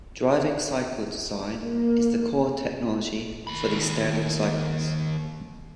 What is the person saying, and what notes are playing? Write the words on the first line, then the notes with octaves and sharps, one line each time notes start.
Driving cycle design is the core technology for these standard cycles.
A#3
D#2 B5